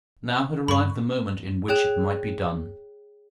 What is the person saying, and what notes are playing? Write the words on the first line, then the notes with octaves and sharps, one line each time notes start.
Now had arrived the moment in which it might be done.
G2 B5 C#6
G#4 C#5 G5 F#6 E7